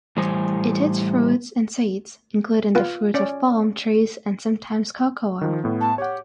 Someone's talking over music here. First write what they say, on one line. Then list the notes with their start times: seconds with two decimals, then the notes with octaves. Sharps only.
It eats fruit and seeds, including the fruit of palm trees and sometimes cocoa.
0.17 A2 E3 G3 C5 C#5 G#5
2.75 B3 F4 B4
3.14 C#4 D5
5.41 D#3 F3
5.64 A2 B3
5.80 A5
5.98 G4 C#5 F#5